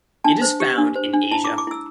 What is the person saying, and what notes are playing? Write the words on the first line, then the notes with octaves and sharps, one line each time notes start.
It is found in Asia.
D4 A5
C5
G4
D4
C5
D4
E4 A5
D6
E4
D6
E4 E6